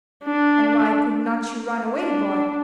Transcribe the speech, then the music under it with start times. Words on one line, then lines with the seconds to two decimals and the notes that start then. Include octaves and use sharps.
'And why could not you run away, boy?'
0.24 D4
1.96 D4